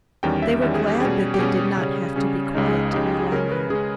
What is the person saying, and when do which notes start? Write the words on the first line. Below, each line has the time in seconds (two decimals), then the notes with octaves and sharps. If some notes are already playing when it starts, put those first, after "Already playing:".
They were glad that they did not have to be quiet any longer.
0.23 E2 D#3 G3 C#4 G5
0.42 E5
0.61 E2 D#3 G3 C#4 E5
0.74 G#4
0.87 G4
1.00 B2 G3 C#4 G#4
1.34 G4
1.39 B2 G3 C#4 G#4
1.77 C#3 G3 C#4
2.16 C#3 G3 C#4
2.54 C#2 C#3 G#3 D#4
2.68 G#4
2.93 C#2 C#3 G#3 D#4 G4
3.06 G4
3.19 G#4
3.32 C#3 G#3 C#4 A#4
3.52 B4
3.70 C#3 G#3 C#4 G#4